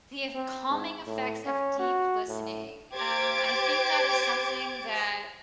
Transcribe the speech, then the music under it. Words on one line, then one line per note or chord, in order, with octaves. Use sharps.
The ef calming effects of deep listening. Um, I think that is something that,
C4
G#2
A2
C#4
F#4
A2
G4 C5 D6 G#6 A6 D7